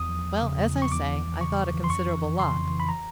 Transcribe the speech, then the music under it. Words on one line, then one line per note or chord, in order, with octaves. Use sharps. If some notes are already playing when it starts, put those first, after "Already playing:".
Well, as I say, I thought a considerable lot.
Already playing: E2 D#6
F3
E2
C#3
E2
F3
C#6
E2 D6
E3
E2
C#3 C#6
E2
E3
C6
F2 C#6
E3
F2
C#3 C6
F2
E3
B5
A#5